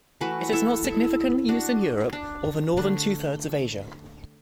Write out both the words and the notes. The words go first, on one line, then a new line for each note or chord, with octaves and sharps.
It is not significantly used in Europe or the northern two thirds of Asia.
E3 A3 F#4 B4
E4 A4
E4 A4
D4 F#4
D4
D3 A3 D4